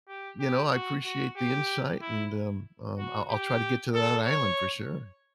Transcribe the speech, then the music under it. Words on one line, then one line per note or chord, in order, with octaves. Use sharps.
you know, I appreciate the insight, and, um, um, I'll I'll try to get to that island for sure.
G4
G4
F#4
F#4
G4
E4
F#4
G4
A4
C#5